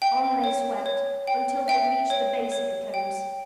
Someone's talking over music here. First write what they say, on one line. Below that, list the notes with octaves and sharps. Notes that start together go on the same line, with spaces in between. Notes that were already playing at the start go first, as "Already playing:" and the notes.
On they swept until they reached the base of the Cones.
E5 G5
C#5
C#5
G5
E5 G5
C#5
C#5
G5